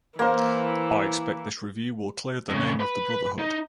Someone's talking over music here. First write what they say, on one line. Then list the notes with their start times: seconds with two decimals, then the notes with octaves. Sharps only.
I expect this review will clear the name of the Brotherhood.
0.19 E3 A#3 E4 A#4 C5
2.49 F2 C#3
2.80 B4 B5
3.39 D#4